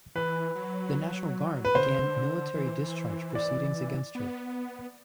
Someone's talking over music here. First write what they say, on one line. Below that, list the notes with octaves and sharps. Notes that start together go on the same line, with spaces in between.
The National Guard began military discharge proceedings against her.
E3 B4
F#3
B4
D3 C5
E3
D5
B3